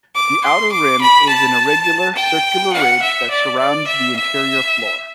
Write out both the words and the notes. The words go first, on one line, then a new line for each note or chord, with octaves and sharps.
The outer rim is an irregular circular ridge that surrounds the interior floor.
D6
C6
D6
B5
A5
G5
F#5
E5
D5
D5
E5
E5